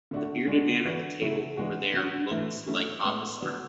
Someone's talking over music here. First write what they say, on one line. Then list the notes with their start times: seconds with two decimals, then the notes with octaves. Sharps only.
The bearded man at the table over there looks like Papa Smurf.
0.11 D3 A3 D4 F#4
0.48 D3 G#3 D4 F#4
0.85 E3 B3 D4 F#4
1.21 C#3 F#3 A3 E4
1.57 E3 G#3 D4 F#4
1.94 F#3 C#4 F#4
2.30 A2 E3 A3 E4
2.67 F#3 A3 C#4 E4
3.03 A2 G#3 B3
3.40 D3 F#3 B3 D4